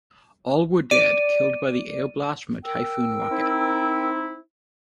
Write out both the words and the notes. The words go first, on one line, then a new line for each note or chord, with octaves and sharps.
All were dead, killed by the air blast from a Typhoon rocket.
D5 D#7
A#4 G5 E6
C4 D#4 E4